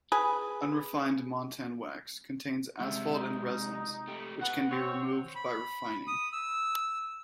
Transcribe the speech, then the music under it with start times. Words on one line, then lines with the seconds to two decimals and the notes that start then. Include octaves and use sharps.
Unrefined montan wax contains asphalt and resins, which can be removed by refining.
0.12 G#4 B4
2.81 C3 G#3 E5
3.14 D#4
4.08 A3 G4
4.41 F#4 B4 F#5
4.71 C4 C#5
5.35 B5
6.07 D#6
6.32 E6